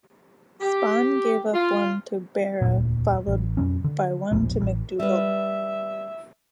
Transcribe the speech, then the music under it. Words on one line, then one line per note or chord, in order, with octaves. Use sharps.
Spahn gave up one to Berra, followed by one to McDougald.
G4
F4
E1 D2 A#2
A1
F2 B2 F#3 C#4
D3
E1 A#1 G#2 B2
A1
G3 B4 E5